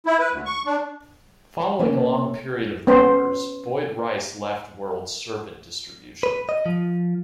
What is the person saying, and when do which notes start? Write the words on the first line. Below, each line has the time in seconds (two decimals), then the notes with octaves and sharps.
Following a long period of rumours, Boyd Rice left World Serpent Distribution.
0.06 E4
0.20 B4
0.32 D2
0.45 C#6
0.66 D4
1.79 A3 A#3 C#4
2.87 B3 C#4 C5
6.23 B4
6.49 D#5
6.66 F3